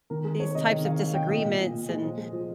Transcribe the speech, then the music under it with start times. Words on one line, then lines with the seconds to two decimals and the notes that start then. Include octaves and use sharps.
these types of disagreements, and
0.10 D#3 A#4
0.24 G#3
0.40 G#3 C#5
0.54 C3 D#5
0.70 D#3
0.84 C3 F5
0.99 G#3 F5
1.14 C3 G5
1.28 A#2 D#5
1.44 A#2
1.58 A#2
1.73 A#2
1.89 G#3
2.04 F3
2.18 G#3
2.32 F3